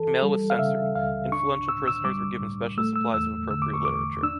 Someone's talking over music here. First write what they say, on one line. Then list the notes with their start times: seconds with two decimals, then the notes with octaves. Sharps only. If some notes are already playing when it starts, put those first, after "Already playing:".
Mail was censored; influential prisoners were given special supplies of appropriate literature.
Already playing: E3 A4
0.23 G3
0.50 F5
0.59 C#3 E5
0.96 C#2 F5
1.32 D4 C#6
1.68 A2 E6
1.88 E6
2.04 G3 D6
2.41 A2
2.78 A3 E6
2.96 E6
3.14 E2 E6
3.50 D3 E6
3.62 D6
3.74 C#6
3.85 E2 D6
4.23 D4 E6